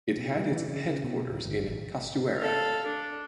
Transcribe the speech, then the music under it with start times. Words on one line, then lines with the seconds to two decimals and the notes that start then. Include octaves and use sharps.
It had its headquarters in Castuera.
0.17 B2
0.37 G3
0.52 E3
0.68 C#3
0.85 C#3
1.04 B2
1.30 D1
1.45 G1
1.68 A1
2.38 A4 F5
2.86 D4